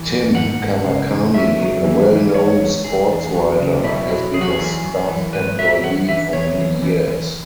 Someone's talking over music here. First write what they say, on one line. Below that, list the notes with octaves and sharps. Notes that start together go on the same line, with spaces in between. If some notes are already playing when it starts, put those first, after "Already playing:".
Tim Kawakami, a well-known sportswriter, has been a staff employee for many years.
Already playing: E3
F#2
G#2 F#5
G#2
C#3
E2
F#2 E5
F#3
E3
E3
E3 C#5
E2
E3 G#4
E2
F#3
C#3
B2 E4
F#3
E2 G#4
F#4
G#4
E3
F#2
E3
G#2 B4
F#3 E5
E3 F#5
E3 E5
E3 C#5
E3
E3
E3